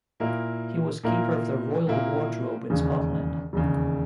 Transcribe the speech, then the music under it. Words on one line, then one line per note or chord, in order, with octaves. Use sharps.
He was keeper of the royal wardrobe in Scotland.
A#2 A#3 E4 A#4
A#2 A#3 E4 A#4
A#2 A#3 E4 A#4
E1 D#2 C#3
E1 D#2 C#3